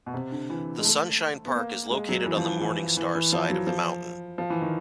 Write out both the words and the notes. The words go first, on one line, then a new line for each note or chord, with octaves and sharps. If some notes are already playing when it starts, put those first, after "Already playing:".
The Sunshine Park is located on the Morning Star side of the mountain.
B2
C3
D3
E3
G#3
A3
B3
A#3
G#3
F#3
E3
F3
E3
E3
E3
E3
F3
F#3
F3
F3
E3
D#3